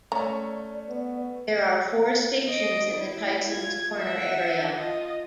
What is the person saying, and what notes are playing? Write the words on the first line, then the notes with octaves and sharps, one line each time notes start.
There are four stations in the Tysons Corner area.
A3 C#4 D5 A#5
B3
D#5 D7
E4
F4 G#6
E5 F#5
F4 D#5